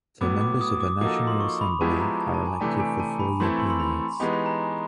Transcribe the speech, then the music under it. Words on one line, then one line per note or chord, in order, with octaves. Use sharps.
The members of the National Assembly are elected for four-year periods.
A2 F#3 B3 D6
D6
D#6
D6
F3 A#3 D#4 F#4 A4 D6
C6
C#6
B5
F3 G#3 B3 E4 G4 A5
A#5
A5
A5
G#5
C3 E3 A3 D4 G4 A5
G#5
A5
B5
E3 A3 C4 E4 A4 C6
C#6
C6
C6
B5
E3 G#3 B3 D#4 G4 B5
B5
A#5